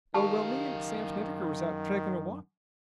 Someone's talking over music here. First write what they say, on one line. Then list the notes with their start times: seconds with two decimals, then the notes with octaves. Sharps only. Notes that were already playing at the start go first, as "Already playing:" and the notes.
Oh, well, me an' Sam Snedecker was out takin' a walk.
0.14 F#2 D#3 G4 F5 A5